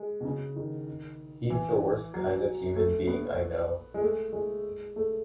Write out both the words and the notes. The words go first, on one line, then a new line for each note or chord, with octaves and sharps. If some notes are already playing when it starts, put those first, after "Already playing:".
He's the worst kind of human being I know.
Already playing: G#3
B2
C#3
D#3
E3
F#3
A3
B3
G#3
A3
G#3
A3